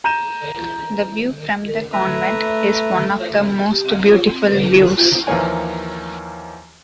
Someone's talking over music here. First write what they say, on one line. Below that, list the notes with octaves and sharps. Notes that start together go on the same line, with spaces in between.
The view from the Convent is one of the most beautiful views.
A#5 G6 D#7 E7
A3 B4 E5 A#5
G4
C4
F4
C4
B4
F4
F#4
D#2 E3 F3 A#3 C#5 G#5